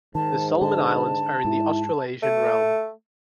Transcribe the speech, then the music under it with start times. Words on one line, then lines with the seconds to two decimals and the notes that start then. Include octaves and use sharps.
The Solomon Islands are in the Australasian realm.
0.15 G#2 D#3 A5
0.61 D3 A5
1.45 G#2 E4
2.22 A3